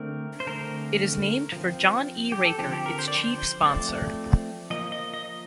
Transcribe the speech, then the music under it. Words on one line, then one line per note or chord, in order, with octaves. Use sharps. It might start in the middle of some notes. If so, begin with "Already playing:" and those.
It is named for John E. Raker, its chief sponsor.
Already playing: D3 A3 C4 A#4
C5
D3 A3 C4 A#4
F3 C4
G4
A4
D3 F3 C4 G4
G4
A#4
C5
D5
C5
F3 A3 C4 D5
F3 A#3 D#5
D#5
D#5